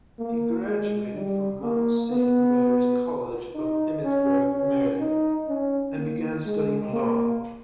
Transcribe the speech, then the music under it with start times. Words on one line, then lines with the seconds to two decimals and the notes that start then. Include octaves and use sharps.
He graduated from Mount Saint Mary's College of Emmitsburg, Maryland, and began studying law.
0.19 A#3
0.66 G#3
1.15 G3
1.63 A#3
2.11 B3
3.55 D#4
4.04 C#4
4.52 C#4
5.00 D#4
5.49 C#4
5.96 A#3
6.45 G#3
6.93 A#3